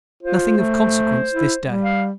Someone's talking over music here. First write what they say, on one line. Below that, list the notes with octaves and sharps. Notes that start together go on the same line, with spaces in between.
Nothing of consiquence this day.
F4 C5
A3
E4
G3
F5